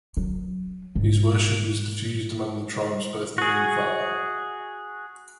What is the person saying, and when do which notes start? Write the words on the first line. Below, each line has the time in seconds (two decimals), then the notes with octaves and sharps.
His worship is diffused among the tribes both near and far.
0.17 F#3
0.95 G#2
3.38 F#4 G#4